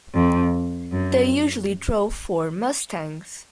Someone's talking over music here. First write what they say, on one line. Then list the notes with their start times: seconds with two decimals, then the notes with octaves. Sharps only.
They usually drove Ford Mustangs.
0.14 F2
0.92 F#2